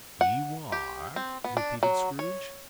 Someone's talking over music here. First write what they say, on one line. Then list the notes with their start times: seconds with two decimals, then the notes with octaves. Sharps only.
"You are?" repeated Scrooge.
0.21 F#5
0.72 G4
1.16 C4
1.44 B3
1.57 D4
1.83 F#3
2.19 C#5